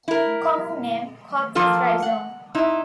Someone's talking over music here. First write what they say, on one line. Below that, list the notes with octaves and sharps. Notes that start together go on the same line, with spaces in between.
Common Name: Coptis Rhizome.
E4 A#4
F3 A#3 F4 A4
F#5
C3 D#4 E4